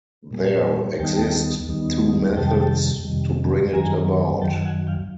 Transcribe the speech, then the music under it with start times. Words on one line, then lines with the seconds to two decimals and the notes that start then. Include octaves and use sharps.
There exist two methods to bring it about.
0.31 A#2 G3 A#3
0.99 D#2 D#3 G3 B3 D#4 G5 A5
1.68 D#2 D#3 G3 B3 D#4
2.36 F2 C3 D#3 G3 G5 A5
3.05 F2 C3 D#3 G3
3.73 F#2 D#3 F#3 G#5 A#5
4.41 F#2 D#3 F#3 G5 A5
4.65 F#5 G#5
4.87 F5 G5